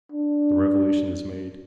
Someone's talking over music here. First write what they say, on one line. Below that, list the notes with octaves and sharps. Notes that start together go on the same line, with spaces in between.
The revelation is made.
D4